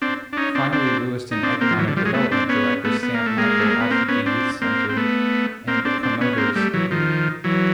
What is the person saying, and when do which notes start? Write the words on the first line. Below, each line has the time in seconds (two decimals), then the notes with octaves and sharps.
Finally Lewiston economic development director Sam Michael offered the Youth Center, and promoters agreed.
0.02 C4 D4
0.33 D4
0.37 C#4 D#4
0.55 C4 D4
0.73 C4 D4
1.31 D#4
1.43 C4 D4
1.61 A#3 C4
1.71 F3
1.79 E3 F#3
1.88 D3
1.96 F3 G3
2.05 F#3 G#3
2.14 A3 B3
2.32 C4 D4
2.49 B3 C#4
2.85 A3 B3
3.03 B3
3.14 A#3
3.26 A3
3.38 G#3 A#3
3.59 A3
3.71 A#3
3.81 B3
3.91 A#3 C4
4.08 B3 C#4
4.26 C4 D4
4.62 A#3 C4
4.89 C4
4.97 A3 B3
5.67 A#3 C4
5.85 C4 D4
6.03 C4 D4
6.21 B3 C#4
6.33 C#4
6.38 A#3 C4
6.55 G3 A3
6.74 E3 F#3
6.91 D#3 F3
7.44 E3 F#3